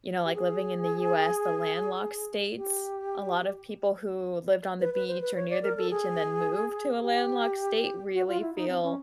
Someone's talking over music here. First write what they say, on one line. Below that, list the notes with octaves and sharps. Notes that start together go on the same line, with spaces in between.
you know, like, living in the US, the landlocked states, a lot of people who lived on the beach or near the beach and then moved to a landlocked state really feel
G4
G#4
G4
B4
B4
C5
B4
C#5
D5
A#4
A4
G#4
G4
F#4
F4
E4
D#4
C4
C#4